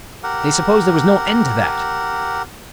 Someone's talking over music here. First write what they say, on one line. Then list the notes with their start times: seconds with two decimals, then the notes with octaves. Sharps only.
They supposed there was no end to that.
0.23 G4 A#4 F#5